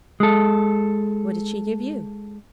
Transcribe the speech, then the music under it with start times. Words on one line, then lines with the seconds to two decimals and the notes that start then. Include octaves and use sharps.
'What did she give you?'
0.20 G#3 A4